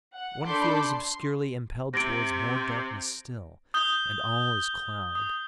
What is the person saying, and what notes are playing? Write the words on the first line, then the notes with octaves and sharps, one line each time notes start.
One feels obscurely impelled towards more darkness still, and all is cloud.
F#5
D4 A4 B5 C6 D6 G6
C6
C3 A#6 D7
D#6 G6 G7
D#6